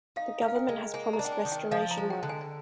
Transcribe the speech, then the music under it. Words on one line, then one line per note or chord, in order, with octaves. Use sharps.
The government has promised restoration work.
D#4 F5
A#4
F5
G5
G#3
A#3 G#5
A#5
D4
G5
G#5
D#3
G5
F3 F5
A#5
G#3
G5
D3
G#5